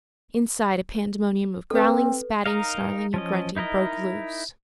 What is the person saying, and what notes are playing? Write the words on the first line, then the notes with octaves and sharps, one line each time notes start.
Inside, a pandemonium of growling, spatting, snarling, and grunting broke loose.
C4 A4 B4
D#4 A#4 D#5 F5
F3 C#4 D#5
D#4 E4 A#4 D#5